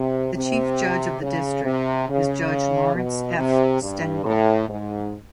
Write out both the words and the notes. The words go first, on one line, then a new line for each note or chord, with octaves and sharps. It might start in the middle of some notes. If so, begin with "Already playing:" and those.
The Chief Judge of the District is Judge Lawrence F. Stengel.
Already playing: C3
C3
C#3
C3
C#3
B2
C3
G2
A2
G#2